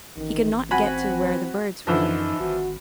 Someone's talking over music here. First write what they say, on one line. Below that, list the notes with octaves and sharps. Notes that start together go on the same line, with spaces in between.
He could not get to where the birds were.
A1 D#3
C4 F#4 G#5 B5
F#2 D3 E3 F3 D#4
G#1 F#4